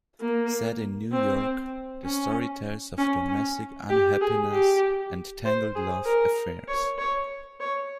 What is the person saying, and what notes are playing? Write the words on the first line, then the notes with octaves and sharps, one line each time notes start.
Set in New York, the story tells of domestic unhappiness and tangled love affairs.
A#3
C4
C#4
C#4
C#4
G4
G#4
G4
C5
G#4
A#4
C#5
C#5
C#5